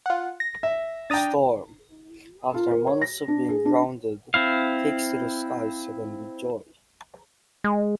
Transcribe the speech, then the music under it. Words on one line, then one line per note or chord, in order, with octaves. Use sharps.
Storm, after months of being grounded, takes to the skies again with joy.
F4 F#5
A#6
E5
D4 G5 A#5 D#6 A6
F4
A#4
C#5
A#6
D4
G#4
D4
C4 E4 F5
G#3